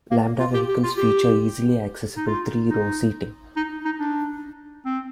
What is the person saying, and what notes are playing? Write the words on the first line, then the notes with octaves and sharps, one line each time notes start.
Lambda vehicles feature easily accessible three-row seating.
A#3
A#3
F4
G4
G4
F4
G4
D#4
F4
D#4
D#4
D#4
D4
C4